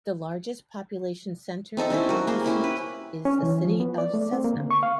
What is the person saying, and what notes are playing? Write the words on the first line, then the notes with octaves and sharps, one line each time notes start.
The largest population centre and council seat is the city of Cessnock.
C4 D#4 A4 E5
G3 C4 C#4 E4
F#4 A#4
A#3 G#4 C5
C#4 E4 G4
B4
C#4
E3
F3
B3
D5
A3
C4
A#3
D3
C#6
F5